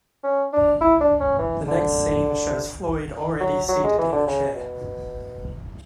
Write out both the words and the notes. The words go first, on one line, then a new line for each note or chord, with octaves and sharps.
The next scene shows Floyd already seated in a chair.
C#4
D4
E4
D4
C#4
E3
D3
F#3
F#3
G#3
E3
D3
C#3
B2